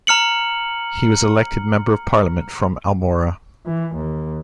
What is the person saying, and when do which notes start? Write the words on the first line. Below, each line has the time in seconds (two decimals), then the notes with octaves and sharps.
He was elected Member of Parliament from Almora.
0.07 A#5 F6 C#7 F#7
3.66 E3
3.95 D#2